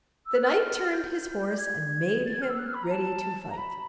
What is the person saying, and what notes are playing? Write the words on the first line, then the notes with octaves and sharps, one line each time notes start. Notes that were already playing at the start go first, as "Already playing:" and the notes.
THE knight turned his horse and made him ready to fight.
E6
F#6
F6
G6
G#6
A6
G#6
F6
E6
F#6
F6
B5
A#5
A5
A5
A#5
B5